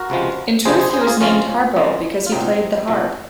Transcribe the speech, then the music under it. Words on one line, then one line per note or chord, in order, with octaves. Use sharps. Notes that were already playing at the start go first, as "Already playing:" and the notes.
In truth he was named Harpo because he played the harp.
Already playing: F#4 A#4
C#2 C3 F3 G#3
C#2 C3 F3 G#3 G#4 C5
G#4 C5
G#4 C5
A#4
F4 G#4
F2 C#3 F3 G#3 C#4 F4
F2 C#3 F3 G#3
F4
C2 A#2 F#3 C4 D#4
C2 A#2 F#3